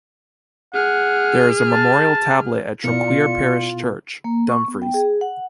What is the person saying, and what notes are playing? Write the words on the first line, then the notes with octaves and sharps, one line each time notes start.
There is a memorial tablet at Troqueer parish church, Dumfries.
G#4 F#5 F6
A5
B2 B3 E4 F4 A#4 D5 C#7
A#3
C#6
B3
G5
G#4
F#5